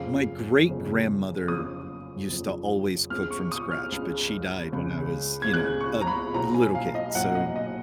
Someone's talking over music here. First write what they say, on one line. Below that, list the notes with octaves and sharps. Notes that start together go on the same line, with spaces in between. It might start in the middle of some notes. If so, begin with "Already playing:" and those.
my great grandmother used to always cook from scratch, but she died when I was, you know, a little kid, so,
Already playing: F#1 F2 C#3 F3 F5
F#1 F2 C#3 F3
F#1 F2 C#3 F3 D#6
F#1 F2 C#3 F3
C#2 C#3 G#3 F6
C#6
D#6
F6
C#2 C#3 G#3
C#2 C#3 G#3
G#6
C#2 C#3 G#3 F#6
C#6
A#5
B5
B1 A#2 F#3 A#5
G#5
F5
D#5
B1 A#2 F#3 F#5
D#5
D#5